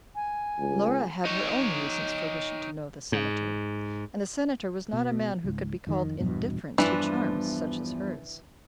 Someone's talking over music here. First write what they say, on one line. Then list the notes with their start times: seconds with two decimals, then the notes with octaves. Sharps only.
Laura had her own reasons for wishing to know the Senator, and the Senator was not a man who could be called indifferent to charms such as hers.
0.15 G#5
0.58 C#2
1.25 D#4 C#5
3.12 G#2
4.93 B2
5.44 C#2 G#2
5.87 F2 D#3
6.20 A#1 E2 G2 B2
6.78 E2 G2 E3 F3 D4